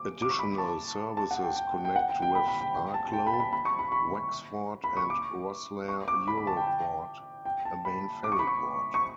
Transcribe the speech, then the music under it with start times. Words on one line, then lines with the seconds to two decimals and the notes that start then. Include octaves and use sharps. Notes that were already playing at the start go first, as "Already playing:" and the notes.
Additional services connect with Arklow, Wexford and Rosslare Europort, a main ferry port.
Already playing: D6
0.22 D6
0.30 C#6
0.39 B5
0.58 A5
1.17 A5
1.31 F#5
1.43 G5
1.56 G5
1.85 G5
1.96 F#5
2.09 G5
2.22 G5
2.35 B5
2.48 B5
2.61 G5
2.74 G5
2.94 A5
3.08 A5
3.13 G5
3.27 B5
3.33 A5
3.40 B5
3.53 B5
3.65 C#6
3.79 B5
3.92 B5
4.84 B5
4.97 C#6
5.10 D6
5.88 C#6
6.08 D6
6.28 B5
6.38 B5
6.47 A5
6.57 G5
6.67 G5
7.45 G5
7.65 A5
7.85 B5
8.24 D6
8.32 C#6
8.39 B5
8.47 C#6
8.94 C#6